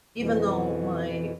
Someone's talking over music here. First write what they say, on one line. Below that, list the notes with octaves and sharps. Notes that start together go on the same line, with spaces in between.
Even though my
F2 B2 E3